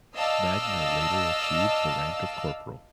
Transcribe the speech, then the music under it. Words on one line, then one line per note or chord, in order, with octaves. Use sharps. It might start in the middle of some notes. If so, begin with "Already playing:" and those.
Magner later achieved the rank of Corporal.
D5 D#5 F5 A5 E6